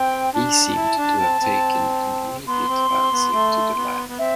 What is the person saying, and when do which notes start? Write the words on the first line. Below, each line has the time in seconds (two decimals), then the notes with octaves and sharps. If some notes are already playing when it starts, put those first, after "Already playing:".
He seemed to have taken an immediate fancy to the lad.
Already playing: C4 G5
0.34 D4 A5
0.76 E4
0.98 D4
1.19 C4
1.41 C4
2.47 B3 C6
2.69 C4
2.90 C4
3.12 B3
3.33 A3
3.75 B3
4.09 B3
4.18 C4 E5